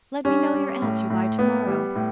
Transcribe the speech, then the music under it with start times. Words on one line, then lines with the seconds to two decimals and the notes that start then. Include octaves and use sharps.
Let me know your answer by to- morrow.
0.25 G3 C#4
0.53 G3
0.82 A2
1.10 A2
1.39 A2 B3
1.67 G3
1.96 A2